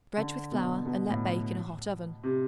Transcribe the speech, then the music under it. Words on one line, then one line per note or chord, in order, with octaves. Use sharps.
Dredge with flour and let bake in a hot oven.
D3
B2
B2
A2
C3